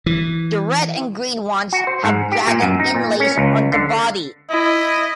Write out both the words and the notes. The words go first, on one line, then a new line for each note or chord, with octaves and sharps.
The red and green ones have dragon inlays on the body.
E3
F#4
C5
G#2
G4
A#2
F#2
D#4
A#2
C#4
C#2
D3
E4 D#5